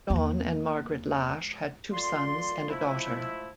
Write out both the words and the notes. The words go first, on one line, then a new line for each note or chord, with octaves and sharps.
Don and Margaret Lash had two sons and a daughter.
E2 A#3
F4 A4 D5 C6
F3 G#3 A3 E4